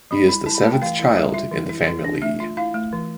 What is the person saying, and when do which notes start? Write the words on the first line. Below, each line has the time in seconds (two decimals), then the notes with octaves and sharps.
He is the seventh child in the family.
0.11 G3 B5
0.29 E4 B5
0.46 E4 A5
0.55 B5
0.64 A3 A5
0.72 G5
0.82 E3 F5
0.99 E4
1.16 G3 E5
1.34 F4 E5
1.52 E3
1.69 E4
1.87 E3
2.04 D4
2.22 A3 E5
2.40 F4
2.57 E4 F5
2.74 A3
2.93 E3